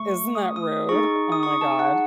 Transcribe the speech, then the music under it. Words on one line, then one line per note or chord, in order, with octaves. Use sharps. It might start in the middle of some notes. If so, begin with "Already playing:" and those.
Isn't that rude? Oh my god.
Already playing: A3 C#6
D#6
D#6
D#4 G#4 C#6
D#6
C#6
A5
F#5